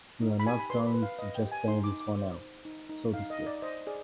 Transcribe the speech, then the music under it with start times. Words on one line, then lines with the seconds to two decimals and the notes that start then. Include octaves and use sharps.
We're not going to just bang this one out, so to speak.
0.22 D#4
0.40 B5
0.46 G4 G#5
0.59 B5
0.70 B4 C6
0.87 B5
0.94 B4
1.03 F5
1.19 B4 D#5
1.35 G5
1.43 G4
1.52 G#5
1.68 D#4 C6
1.84 D6
1.92 D#4
2.00 D6
2.17 C5
2.41 D#4
2.65 D#4
2.90 D#4
3.14 D#4 F5
3.30 D#5
3.39 D#4
3.46 D5
3.62 C5 D#5
3.87 G#4 D5